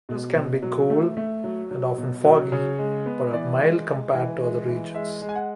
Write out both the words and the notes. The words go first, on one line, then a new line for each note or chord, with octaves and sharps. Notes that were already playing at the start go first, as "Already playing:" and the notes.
Winters can be cool, and often foggy, but are mild compared to other regions.
B2
B2
F#3
A3
A3
F#3
F#3
B2
F#3
C#3 C#5
G#3
B3
E3 D5
G#3
G#3
E3
G#3
E3
G#3 E5
G#3
G#5
F#5